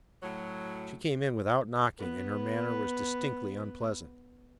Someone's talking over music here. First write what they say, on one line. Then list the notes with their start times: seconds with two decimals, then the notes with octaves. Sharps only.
She came in without knocking, and her manner was distinctly unpleasant.
0.23 A2 F#3
1.99 B3 B4